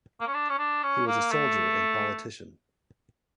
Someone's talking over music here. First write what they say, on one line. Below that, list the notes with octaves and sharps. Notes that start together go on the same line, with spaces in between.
He was a soldier and politician.
A#3
C#4
D4
C#4
D4
C#4
A#3
A3